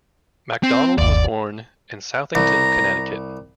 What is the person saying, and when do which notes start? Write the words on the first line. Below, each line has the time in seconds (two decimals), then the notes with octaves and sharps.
MacDonald was born in Southington, Connecticut.
0.63 C4
0.98 G1 D#2 D5
2.35 C2 A#5